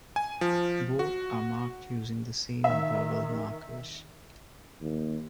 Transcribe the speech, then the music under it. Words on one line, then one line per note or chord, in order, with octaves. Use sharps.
Both are marked using the same vowel markers.
G#5
F3
F#4
D#3 E5
D#2